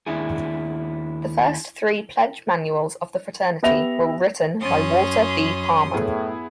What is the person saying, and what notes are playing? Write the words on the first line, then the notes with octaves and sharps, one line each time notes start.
The first three pledge manuals of the fraternity were written by Walter B. Palmer.
D#2 D4 E4 G#4
B3 G4 E5 A#6 F7
F#2 C#4 C6 D#6
A2 B3 E4 G#4